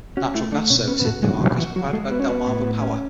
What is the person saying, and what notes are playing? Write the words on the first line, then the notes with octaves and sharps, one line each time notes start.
Natural gas service in Newark is provided by Delmarva Power.
C#4 F#4
A3 E4
A3 D4
B2 C#4
B3 C#4
B3
A3 F#4
G#3 F#4
B2 F#3
E3 F#4
F#3 F#4
G#3 A3
B3 F#4
C#4
B3 F#4
A2
A2
C#4